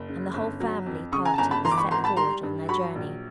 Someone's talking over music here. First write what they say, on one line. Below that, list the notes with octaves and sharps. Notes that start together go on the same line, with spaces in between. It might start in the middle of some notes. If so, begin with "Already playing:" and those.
And the whole family party set forward on their journey.
Already playing: F#1
C#3
G1
F#3
F2
C#3 C#6 D#6
G#5 A#5
A5
G1 G#5 A#5
A5 B5
E3 A#5 C6
D6
B5 C#6
G#1 A#5 C6
A5 B5
G3 A#5 C6
G2
F#3 B5 C#6
A#1